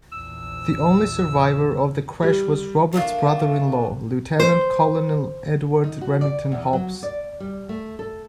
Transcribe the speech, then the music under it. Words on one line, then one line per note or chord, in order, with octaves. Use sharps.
The only survivor of the crash was Roberts' brother-in-law, Lieutenant Colonel Edward Remington-Hobbs.
A#1 E2 E6
G3
A3 A#3 D4 F4
C5
D#4
F#4
D5
E2
F#3
D5
G3
A3
A4